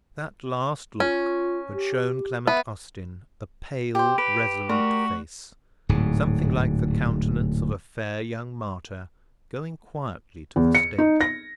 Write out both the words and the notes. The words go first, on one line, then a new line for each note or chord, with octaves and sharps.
That last look had shown Clement Austin a pale resolute face, something like the countenance of a fair young martyr going quietly to the stake.
C#4 F4
G4
B3 E5
G4 C5
G4 B4
A3 F#4 A#4
D1 G#2
E2
C#7
D#4
A#6